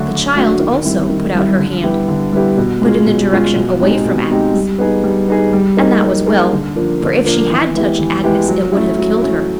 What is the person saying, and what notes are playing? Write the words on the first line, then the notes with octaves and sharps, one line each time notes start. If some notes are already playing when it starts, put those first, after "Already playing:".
The child, also, put out her hand--but in the direction away from Agnes. And that was well, for if she had touched Agnes it would have killed her.
Already playing: D3 F#3 A3 D4 F#4
D3
F#3 A3 D4 F#4
D#3
G3 C4 E4
D#3
G3 C4 E4
D3
G3 B3 E4 G4
D3
G3 B3 E4 G4
B2
G#3 C#4 F4 G#4
B2
G#3 C#4 F4 G#4
B2
G#3 C4 D#4 G4
B2
G#3 C4 D#4 G4
G3
B3 D#4 G#4
G3
B3 D#4 G#4
G3
A#3 D#4 G#4
G3
A#3 D#4 G#4
D3
F3 A#3 D4
D3
F3 A#3 D4
E3
G#3 B3 E4 G4
E3
G#3 B3 E4 G4
F#3
A3 C#4 E4
F#3
A3 C#4 E4